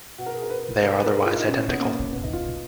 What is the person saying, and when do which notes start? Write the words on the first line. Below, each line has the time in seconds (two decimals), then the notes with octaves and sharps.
They are otherwise identical.
0.18 B2 F#4
0.26 A#4
0.35 G#4
0.43 A#4
0.50 B4
0.83 B2 A#4
0.98 B4
1.06 A#4
1.15 G#4
1.26 F4
1.37 D#4
1.47 B2 C#4
1.59 C#4
1.69 B3
1.80 A#3
2.12 B2 B3
2.24 D#4
2.33 F4